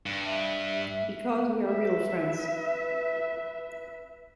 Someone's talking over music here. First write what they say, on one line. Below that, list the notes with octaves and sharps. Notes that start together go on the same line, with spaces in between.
Because we are real friends.
G2
E5
B4 E5